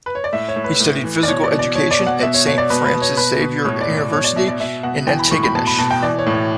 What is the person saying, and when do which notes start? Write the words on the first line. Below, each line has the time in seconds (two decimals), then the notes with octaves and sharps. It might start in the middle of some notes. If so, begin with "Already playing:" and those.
He studied physical education at Saint Francis Xavier University in Antigonish.
0.06 B4
0.15 C#5
0.24 D5
0.33 A2 E5
0.48 C#5
0.56 A2
0.64 B4
0.80 A2
1.04 E3
1.23 D5
1.28 B2 C#5
1.44 D5
1.51 B2
1.59 D5
1.75 B2 C#5
1.91 D5
1.99 B2
2.07 F#5
2.22 B2 E5
2.34 C#5
2.46 B2 C#5
2.58 D5
2.70 B2 B4
2.86 B4
2.94 B2
3.01 C#5
3.17 B2 B4
3.41 B2
3.65 A2 C#5
3.81 D5
3.89 A2
3.97 D5
4.12 B2 C#5
4.24 D5
4.36 B2 E5
4.48 D5
4.60 B2 E5
4.83 B2 F#5
5.07 E3 G5
5.19 B5
5.31 A2 C#6
5.43 B5
5.55 B2 A5
5.67 B5
5.78 B2 A5
5.91 G5
6.02 E3 D5
6.19 C#5
6.26 A2
6.34 C#5